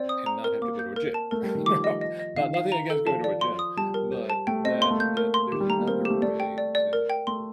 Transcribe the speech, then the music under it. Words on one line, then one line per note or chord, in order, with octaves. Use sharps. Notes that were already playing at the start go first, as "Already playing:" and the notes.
and not have to go to a gym, you know? Not nothing against going to a gym, but that that there's another way to
Already playing: C4 D5
D#6
A#5
A#4
A#3 D6
G6
A#4
A5
A3 A#4
G3
A#4
D#3
F3 D6
D#5
D#5
D#5
D#3 F5
F5
A#5
A4
F3 A5
D5
C6
D#6
G3 A5
A#4
C5
A5
A3 G5
C4 D#5
A#3 C6
A3
A#3 G6
A#4
C6
D#3 G4
G3
A3 A#5
A#3
C4 A#4
A#3
G4
A3
A3 D5
G5
D5
D5
A#4
G5
A3 C6